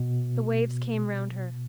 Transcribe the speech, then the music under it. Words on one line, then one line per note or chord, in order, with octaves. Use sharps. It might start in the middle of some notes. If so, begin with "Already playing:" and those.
The waves came round her.
Already playing: B2